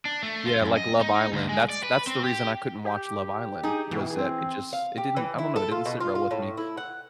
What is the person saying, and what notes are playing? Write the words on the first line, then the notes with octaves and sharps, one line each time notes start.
Yeah, like, Love Island, that's that's the reason I couldn't watch Love Island, was that it just it didn't I don't know, it didn't sit well with me.
D4
A3
F4
F#2
D#5
D#4
D2
G#3
D5
B4
C4
G4
G4
D#4 G#4
B2 E3
C4 G#4
F5
G4
E3
E4
A4
F4
B2
F4
F4
A2
E4
F#5